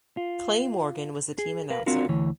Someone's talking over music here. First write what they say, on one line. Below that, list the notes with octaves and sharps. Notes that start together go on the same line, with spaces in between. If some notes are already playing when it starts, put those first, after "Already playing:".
Clay Morgan was the team announcer.
F4
G#4
A#4 B4 F5
C4 D4 F4 F#4 A#4
D2 E3 C#5